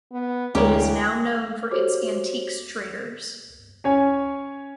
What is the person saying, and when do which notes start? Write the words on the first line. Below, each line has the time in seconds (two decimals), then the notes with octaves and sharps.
It is now known for its antiques traders.
0.12 B3
0.55 D2 E3 G#3 G4 A#4 C#5
1.71 F#4 G4 A4 C5 C#5 D6
3.84 C#4 C#5 G#5